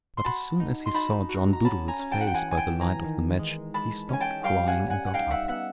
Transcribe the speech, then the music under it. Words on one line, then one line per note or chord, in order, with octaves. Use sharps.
But as soon as he saw John Dolittle's face by the light of the match, he stopped crying and got up.
C6
F#4 A5 B5
D#4
C6
D#4 A5 B5
F#4
A#5
C#4 A5 B5
G#5 A#5
C#4
G5 A5
F#5
G5
E3 F#5 G#5
G#5
G5 A5
E3
G#5 A#5
D#3
G#3
G#3 A5 B5
C#4 G#5
G5 A5
G3 F5 G5
F#5 G#5
G3
F#5 G#5
F#5
D#4 F5 G5
E5 F#5
B3 E5 F#5